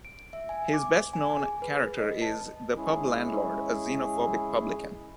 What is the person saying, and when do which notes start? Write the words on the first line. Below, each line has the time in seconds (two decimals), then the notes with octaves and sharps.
His best-known character is "The Pub Landlord", a xenophobic publican.
0.05 D7
0.33 E5
0.49 G#5
0.74 D6
1.13 G#5
1.40 G#4
1.62 B4
1.98 D#5
2.22 A5
2.76 G#3 C#4 E4 G#4